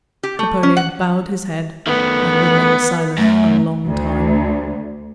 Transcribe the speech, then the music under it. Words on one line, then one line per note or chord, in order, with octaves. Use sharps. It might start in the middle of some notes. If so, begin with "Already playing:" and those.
Napoleon bowed his head and remained silent a long time.
G4
A3
C#4
F#5
D#3 A3 B3
F#2 A3
D2